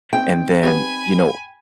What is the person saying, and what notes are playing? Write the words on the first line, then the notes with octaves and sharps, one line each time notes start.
And then, you know,
C4 D#4 C5 G5
F#3 G3 B3 G#5 B5